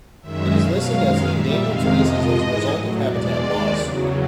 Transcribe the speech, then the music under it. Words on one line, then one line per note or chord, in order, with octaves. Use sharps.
It is listed as an endangered species as a result of habitat loss.
F#2 D#3 G#3 E5
B2 F#3 F5
F#2 D#3 G#3 F5
A#2 G3 E5
F2 C3 D#3 G#3 F5
F2 C3 F3 D#5
G#2 E3 G#3
A2 F#3
E2 B2 G#3 D5
D#2 D#3 G#3
E2 C#3 F#3